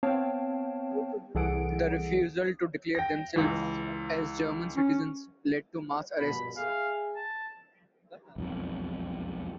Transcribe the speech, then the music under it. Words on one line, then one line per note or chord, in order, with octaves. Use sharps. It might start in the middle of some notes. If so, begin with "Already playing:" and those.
The refusal to declare themselves as German citizens led to mass arrests.
B3 C4 C#5 F5 G5 A5
C2 E3 G#4 A4 F#5 D7
G5 A#6
C#2 E3
C#4
A#1 G2 B2 B5
G#4 E5 F5 G#5
A5
E1 B1 F2